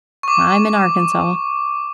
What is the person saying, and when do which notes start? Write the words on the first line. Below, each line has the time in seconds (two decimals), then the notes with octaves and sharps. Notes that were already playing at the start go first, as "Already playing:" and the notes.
I'm in Arkansas.
0.23 C#6 D6